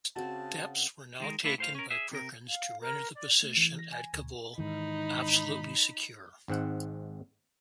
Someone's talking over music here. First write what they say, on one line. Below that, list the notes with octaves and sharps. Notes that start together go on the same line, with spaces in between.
Steps were now taken by Perkins to render the position at Kabul absolutely secure.
C#3 C4 F#4 A5
D#3 G#3 A#4
A3 D4 E4 F4 B4
A2 C5 F5
C#4 A#4
G#4 E5
C3 A#4
F5
A#4
D5
A3
E3
A#6
G#5
D2
G#2 D#3 E3 D#4 B5
G#1 G#2 C4 F#5